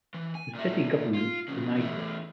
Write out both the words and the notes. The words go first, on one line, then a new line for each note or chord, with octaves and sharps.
The city government denied this.
E3
G#5
A#2 E5
F4
F2 C#3
E2 A3